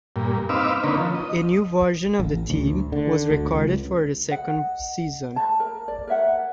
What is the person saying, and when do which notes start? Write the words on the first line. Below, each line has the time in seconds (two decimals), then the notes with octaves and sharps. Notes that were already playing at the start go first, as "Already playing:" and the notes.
A new version of the theme was recorded for the second season.
0.16 G2 A#2
0.49 C4 D#4 B4 F5 D6 E6
0.84 D3 A#3 C#4 D#4 B4
0.98 F3
1.14 D#5
2.20 A1
2.50 D2
2.92 D3
3.30 D2
3.52 C#2
4.31 D#5 F#5
5.36 A5
5.60 A#4
5.88 D5
6.07 A#4 C#5 E5 F#5